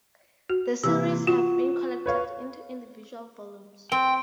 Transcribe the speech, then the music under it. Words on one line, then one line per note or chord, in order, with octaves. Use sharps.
The series has been collected into individual volumes.
F#4
C3 E3 A#3 E6
F4 F#4
B4 C#5 F5
C4 G5